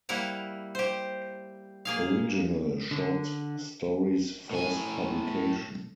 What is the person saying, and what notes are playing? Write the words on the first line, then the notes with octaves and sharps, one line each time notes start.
Original short stories first publication.
G3 A#3 E4 F#5 A#5
G4 C5
A#3 G#4 F5
D3
A2 G#5